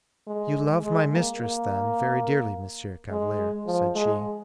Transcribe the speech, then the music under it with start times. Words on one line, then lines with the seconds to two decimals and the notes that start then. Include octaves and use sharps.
"You love my mistress, then, very dearly, Monsieur Chevalier?" said she.
0.27 G#3
0.84 G#3
1.12 A#3
1.40 A#3
3.11 G#3
3.67 F3
3.95 G#3